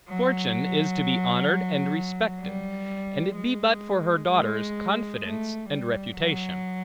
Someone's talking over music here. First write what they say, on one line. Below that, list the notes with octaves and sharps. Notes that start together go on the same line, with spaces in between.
Fortune is to be honored and respected, and it be but for her daughters, Confidence and Reputation.
F#3
G3
G#3
G#3
A3
G3
F#3